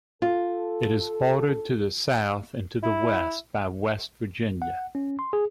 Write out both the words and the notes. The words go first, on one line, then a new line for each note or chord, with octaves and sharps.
It is bordered to the south and the west by West Virginia.
F4 A4
E4
F#5
C#4
C6
G#4